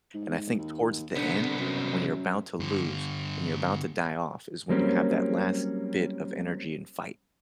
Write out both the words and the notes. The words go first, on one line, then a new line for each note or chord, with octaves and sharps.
and I think towards the end, when you're about to lose, and you're about to die off is when you have that last bit of energy and fight,
G#2
D#2
C2 D3 B3
F#2
G2 D3
F#3 G3 A#3 C4 C#4